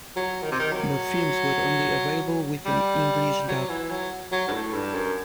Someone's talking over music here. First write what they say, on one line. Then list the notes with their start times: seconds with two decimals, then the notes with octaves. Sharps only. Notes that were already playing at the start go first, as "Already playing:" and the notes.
Both films were only available with an English-dub.
0.16 F#3
0.43 D#3
0.52 C3
0.59 D#3
0.72 F#3
2.66 G3
3.48 F#3
3.69 E3
3.91 F#3
4.32 F#3
4.48 G2
4.53 A2
4.75 G2
4.94 F#2